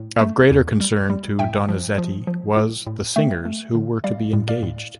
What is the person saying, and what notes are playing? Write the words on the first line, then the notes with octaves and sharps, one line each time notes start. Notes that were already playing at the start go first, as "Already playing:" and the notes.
Of greater concern to Donizetti was the singers who were to be engaged.
Already playing: A2
A3
E2
G3
G3
A2 E5 G5
F3
F3
F3
A2
A2
A3 E5 G5
A3
D3
G3 D5 F5
A2
D5 F5
A2